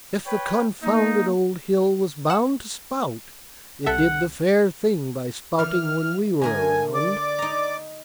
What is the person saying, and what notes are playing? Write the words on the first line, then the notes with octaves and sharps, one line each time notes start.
If the confounded old hill was bound to spout, it did the fair thing by spouting when we were around.
B4 C#5 G5
A#3 D#4
F#5 E7
C2 A4 E5 F#5
E3 D5 F6
D3 A3 A#4 G#5
D5 D6
D#4 A#5